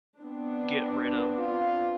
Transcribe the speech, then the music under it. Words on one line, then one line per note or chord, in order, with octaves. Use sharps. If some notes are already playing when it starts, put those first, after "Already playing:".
get rid of
B3 C4 D4
F4